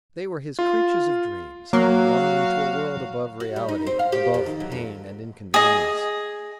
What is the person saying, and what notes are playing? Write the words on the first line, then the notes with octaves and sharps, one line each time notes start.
They were his creatures of dreams, belonging to a world above reality, above pain and inconvenience.
F4
F#3 A#3 F#4 F5
F#4
G3
D#4
C4
F5
G4
F2
D#3
F#3
F2
G#4 D#5